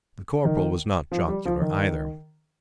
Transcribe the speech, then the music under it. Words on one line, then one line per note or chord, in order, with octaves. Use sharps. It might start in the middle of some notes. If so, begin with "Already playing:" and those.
The Corporal was not jocular either.
D#3
F3
G3
F3
D#3